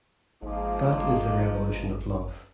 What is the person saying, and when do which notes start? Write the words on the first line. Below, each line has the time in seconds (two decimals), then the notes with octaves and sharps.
That is the revolution of love.
0.42 G#1 F3 G#3 A#3 D#4
0.92 G#1